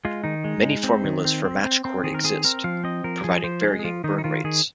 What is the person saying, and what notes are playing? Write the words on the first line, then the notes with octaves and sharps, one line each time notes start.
Many formulas for match cord exist, providing varying burn rates.
G#3 F4
D#3 D#4
G#3
G#3
C4
D#3
C4
C4
C4
C4
D#3 G#4
A#4
C4 G#4
C4 A#4
F3 F5
C4 D#5
F3 A#4
F3 G#4
F3 C5
G#3 G#4
G#4
F3 F4
D#3 D#4
D#4
D#3 F4
D#3 G#4